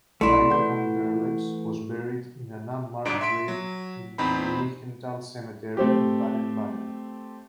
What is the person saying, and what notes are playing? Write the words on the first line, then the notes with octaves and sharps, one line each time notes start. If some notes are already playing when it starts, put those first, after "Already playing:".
Tilo von Berlepsch was buried in an unmarked grave in Lichtental cemetery, in Baden-Baden.
A#1 A3 E4 D5 C6
E3 F#5 G6
G1 G#2 D4 D#4 D7
E5 C6 B6 D7
F#3
E2 C4 D#4 C5 B5
A3 C4 G4